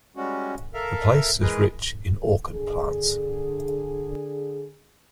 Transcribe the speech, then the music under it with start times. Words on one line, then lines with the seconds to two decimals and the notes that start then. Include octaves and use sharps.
The place is rich in orchid plants.
0.16 G3 G#3 C#4 F#4
0.74 A4 A#4 E5 F5
1.41 E3 G#3 G#4 A#4 B4
2.52 D3 G#4